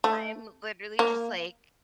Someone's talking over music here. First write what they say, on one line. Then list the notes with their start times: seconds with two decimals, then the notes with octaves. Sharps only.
I'm literally just like
0.04 A3
0.99 A#3